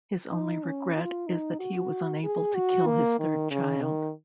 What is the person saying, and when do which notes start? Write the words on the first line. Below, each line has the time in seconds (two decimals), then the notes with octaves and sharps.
His only regret is that he was unable to kill his third child.
0.31 D#4
0.63 C#4
0.96 F4
1.27 D#4
1.59 F#4
2.24 G#4
2.54 F#4
2.87 A#3
3.19 D#3
3.51 C#3
3.82 D#3